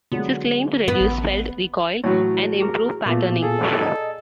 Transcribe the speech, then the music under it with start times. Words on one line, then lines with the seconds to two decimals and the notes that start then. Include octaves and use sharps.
This is claimed to reduce felt recoil and improve patterning.
0.12 D3 F#3 G#3 B3
0.88 G2 B3
1.00 A1
2.04 A2 E3 F#3 F#4 C#5
2.60 E4 G4 G#4 A#4
3.06 A#2 A3 B3 F4 A#4 E5 D6
3.42 G#4 A4 F5 G#5
3.81 D5 D#5 A#5